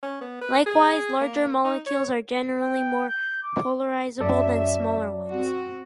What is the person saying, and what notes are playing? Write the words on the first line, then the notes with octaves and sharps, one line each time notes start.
Likewise, larger molecules are generally more polarizable than smaller ones.
C#4
B3
B4
G#4
A#3
D#4
C#5
G5
G6
D6
F#2 A4 D5 E5
C4 F#4